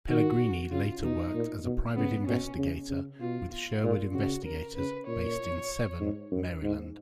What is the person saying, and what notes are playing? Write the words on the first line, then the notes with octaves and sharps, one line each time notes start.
Pellegrini later worked as a private investigator with Sherwood Investigators based in Severn, Maryland.
D#3 F#4
C#3 F4
B2 D#4
A#2
B2
C#3 B3
B2 C#4
C#3
C#3
B2 F4
F4
A#2
C#3 F#4
A#4
C#3 B4
A#2 C#5
G#2
F#2
G#2